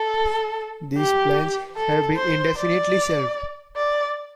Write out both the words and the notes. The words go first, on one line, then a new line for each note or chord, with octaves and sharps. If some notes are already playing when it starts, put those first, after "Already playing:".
These plans have been indefinitely shelved.
Already playing: A4
G4
A4
C5
D5
D5